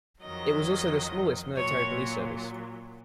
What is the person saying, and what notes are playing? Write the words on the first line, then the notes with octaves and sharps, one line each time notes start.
It was also the smallest military police service.
F2 D#3 F#3 D#5
A#2 F#3 C#5